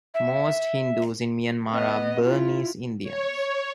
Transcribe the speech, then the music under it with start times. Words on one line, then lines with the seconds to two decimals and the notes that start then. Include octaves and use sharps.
Most Hindus in Myanmar are Burmese Indians.
0.14 E5
1.70 B3 D#5
2.24 E4 F4
3.04 C#5